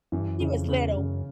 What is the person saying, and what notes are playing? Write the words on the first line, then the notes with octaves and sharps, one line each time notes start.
He was little.
F#2 E3
G2
F#2
F2 C#3
E2 C#3
F#2 C#3